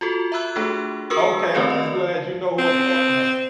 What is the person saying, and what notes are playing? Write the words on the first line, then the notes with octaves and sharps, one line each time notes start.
Okay, I'm just glad you know who I'm talking 'bout.
F4 F#4 A4
E5 A#5 B5 E6 F#6
A3 D4 F#4 G#4 A4
F#4 G#4 A#4 B4 D#6 E6
D#3 A3 C4 A#4 B4 D5
D5 D#5
C4